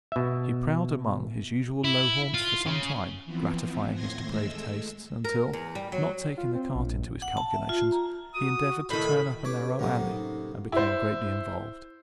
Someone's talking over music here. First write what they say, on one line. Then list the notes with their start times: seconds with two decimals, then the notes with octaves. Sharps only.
He prowled among his usual low haunts for some time, gratifying his depraved tastes, until, not taking the cart into his calculations, he endeavoured to turn up a narrow alley, and became greatly involved.
0.12 B2 E5
1.84 E4
2.34 F4
2.66 C#3
3.25 E3 F3 B3 C4
3.94 D#2 A2 C6 G#6 A#6
4.25 G#3 A3 E6
5.24 A#4
5.53 E2
5.75 G3
5.92 F#3
6.37 F4
6.55 C4
6.75 A#1
7.22 F#5
7.37 A5
7.54 E5
7.69 F4
7.92 A#5
8.35 F#4 D#6
8.90 A2 D#3 E4 B5
9.45 C#4 G4 B4 C#5 D6
9.79 A2 C3 F#3 A#3 C#4 F#5
10.11 D#4
10.72 E4 C5